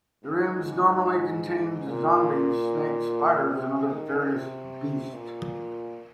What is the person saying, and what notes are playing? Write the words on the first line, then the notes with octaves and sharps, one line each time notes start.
The rooms normally contained zombies, snakes, spiders and other various beasts.
G#2
A#2
C3
D#3
C3
A#2